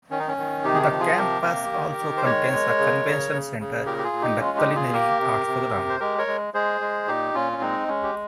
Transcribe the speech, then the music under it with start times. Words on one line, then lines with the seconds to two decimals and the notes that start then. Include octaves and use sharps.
The campus also contains a convention center and a culinary arts program.
0.11 D#3 C#4
0.19 D#4
0.27 C#4
0.37 D#3
0.64 C3 D#4 G4
0.74 G#4
0.82 D#4 G4
0.91 F3
1.00 F4 G#4
1.17 C3 G4 A#4
1.45 A#3
1.72 D#3
1.99 D#3
2.17 C5
2.25 G#3 A#4 C#5
2.52 G#3
2.79 C#3
3.06 C#3
3.32 C#3
3.60 C#3
3.86 A#2 G4 A#4
3.98 G4
4.04 F4 G#4
4.13 A#2
4.22 D#4 G4
4.39 G#3 C#4 F4
4.58 D#4 G4
4.67 A#2
4.75 F4 G#4
4.93 A#3 G4 A#4
5.20 C3
5.47 C3
5.73 C3
5.89 C5
6.00 G#3 G4 A#4
6.18 A#4 C#5
6.27 G#3
6.54 G#3 G#4 C5
6.81 G#3
7.08 A#2 D#4 G4
7.34 A#2 C#4 F4
7.53 C#4
7.61 G#3 C4 D#4
7.88 G#3 C#4
8.03 G4